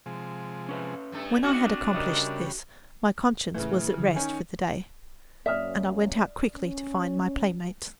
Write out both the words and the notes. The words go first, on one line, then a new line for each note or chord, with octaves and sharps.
When I had accomplished this my conscience was at rest for the day, and I went out quickly to find my playmates.
C3 F3 G#3
C#4 B4 E5
G2 A3 A4
A3 C4 D4 D#4 F#4 F5
C#3 G3 A#4 D#5 E5
A2 C#3 E3 A3
D3 F3
D#3 C#4 G#5
F#2 A#3 C#4 D5 E5 D#6 F6
C#4